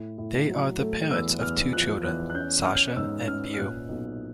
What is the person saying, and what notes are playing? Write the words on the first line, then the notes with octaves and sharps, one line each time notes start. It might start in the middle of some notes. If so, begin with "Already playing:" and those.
They are the parents of two children, Sasha and Beau.
Already playing: A2
A2
F#3
A3
E2 E6
E2 F6
F3 F#6
E2 F#6
F#6
C#4 G6
C#4 F6
G#2 E6
C#4 F6
F6
A#2 F#6
B1